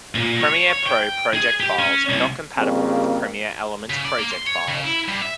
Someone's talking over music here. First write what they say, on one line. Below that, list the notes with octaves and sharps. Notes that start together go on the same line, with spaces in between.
Premiere Pro project files are not compatible with Premiere Elements projects files.
A#2
C#5
C#5
G5
G#4
G4
C#4
C2
F2 C#3 G3 A#3 C4
C#3
D5
A#3
C6
C#5
C#3
E4
G2
E5